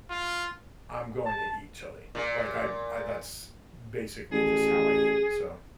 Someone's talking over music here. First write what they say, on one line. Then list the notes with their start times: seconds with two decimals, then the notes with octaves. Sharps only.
I'm going to eat chili. Like, I'm I that's basically just how I eat, so,
0.10 F4
1.25 A5
2.15 A#2
4.32 A1 G#4